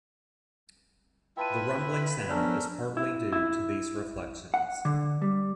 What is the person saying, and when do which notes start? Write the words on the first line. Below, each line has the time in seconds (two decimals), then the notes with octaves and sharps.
The rumbling sound is partly due to these reflections.
1.37 E4 F4 B4 E5 G5 A5 D#7
1.77 D3
2.29 F3 B3 C#4 D4 A4 A#4 D5
2.97 E4
3.33 E4
4.54 F#5
4.85 D3
5.22 G3